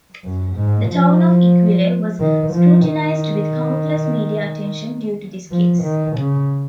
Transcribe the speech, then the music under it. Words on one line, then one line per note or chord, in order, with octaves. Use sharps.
The town of Eckville was scrutinized with countless media attention due to this case.
F#2
G#2
F3
D#3
F3
D#3
F3
D#3
C#3